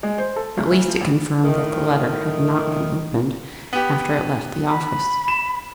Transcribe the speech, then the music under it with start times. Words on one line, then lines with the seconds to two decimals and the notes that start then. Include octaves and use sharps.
At least, it confirmed that the letter had not been opened after it left the office.
0.03 G#3
0.18 C5
0.36 A4
0.58 C#2
0.71 D2
0.88 F3
1.01 A1
1.43 A2 D#3
3.73 B3 G4
4.68 B5
5.28 E7